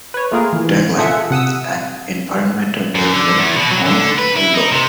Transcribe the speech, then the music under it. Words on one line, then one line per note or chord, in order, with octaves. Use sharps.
Tagline: "An environmental evil haunts Willow".
B4 C#5
A3 A#3 F4 G#4 A#4
E3
F4 G#4 A4 E5 F#5
C3 F#5 D#6 E6
F#2
D3
E2
B2
F#3
D3
B4
E4
D#4
C3